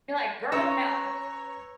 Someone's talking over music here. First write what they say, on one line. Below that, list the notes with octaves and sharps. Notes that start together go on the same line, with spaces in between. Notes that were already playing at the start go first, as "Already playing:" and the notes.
You're, like, "Girl, no."
C#4 B4 C#5 A#5 E6